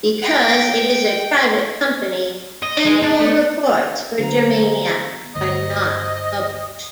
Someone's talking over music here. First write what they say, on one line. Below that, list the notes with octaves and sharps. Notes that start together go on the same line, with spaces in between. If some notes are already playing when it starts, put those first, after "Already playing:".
Because it is a private company, annual reports for Germania are not published.
G5
D#5
G#3
D4
A3
D3 F#3 B3 C5 F5 A#5
D2 G2 C5 D#5